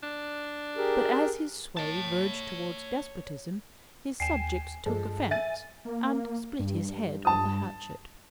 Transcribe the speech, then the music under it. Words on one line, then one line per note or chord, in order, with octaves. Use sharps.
But, as his sway verged towards despotism, his subjects took offence, and split his head with a hatchet.
D4
G4 G#4 A#4
C#5 A5
D#2 G5 G#5 C7 E7
G2 F3 G#3 A4
E5 G#5 A6 D#7
A#3
G2
A5 D#6